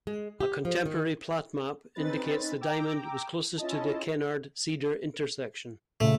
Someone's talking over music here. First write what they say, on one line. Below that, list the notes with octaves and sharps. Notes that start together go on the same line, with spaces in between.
A contemporary plat map indicates the diamond was closest to the Kennard-Cedar intersection.
G#3
G4
F3
D#3
C4 C#4 D#4 B4 A6
G5 A#5 D6 E6
C#4 E4 F4 D#5 A5
A#2 C#3 A3